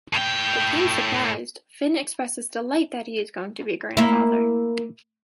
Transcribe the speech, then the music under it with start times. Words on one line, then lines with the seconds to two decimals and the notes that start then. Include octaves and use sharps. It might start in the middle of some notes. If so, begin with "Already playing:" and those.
To Ken's surprise, Fin expresses delight that he is going to be a grandfather.
0.14 A2 G5
3.97 A#3 E4